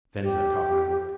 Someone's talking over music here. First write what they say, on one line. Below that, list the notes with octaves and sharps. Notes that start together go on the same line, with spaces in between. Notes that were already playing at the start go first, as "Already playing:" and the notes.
Venza caught my look.
G4